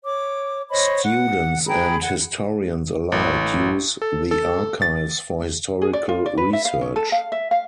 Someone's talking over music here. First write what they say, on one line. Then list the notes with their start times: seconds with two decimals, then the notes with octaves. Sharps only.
Students and historians alike use the Archives for historical research.
0.04 C#5 D6
0.69 C5 C#5 D#5 B5
1.03 F#5
1.67 G#4 G5 A#5 B5
2.02 F#5
3.12 A1
4.02 A4
4.31 A4
4.82 A6
5.82 G#4
5.93 D5
6.09 F4
6.26 D5
6.38 B4
6.53 E5
6.65 F5
6.81 C#4
6.96 A4
7.12 F5
7.32 E5
7.51 F5